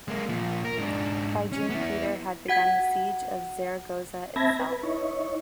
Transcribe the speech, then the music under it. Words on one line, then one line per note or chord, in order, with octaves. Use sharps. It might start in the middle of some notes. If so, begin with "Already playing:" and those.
By June Peter had begun the siege of Zaragoza itself.
G#3 A#3
A#2 F3
A#4
G#2 D4
C#4
B3 E4
F#4 F#5 G#6
C4 E5 A5 B5 G#6 A#6
B4
D#4 E4 C#5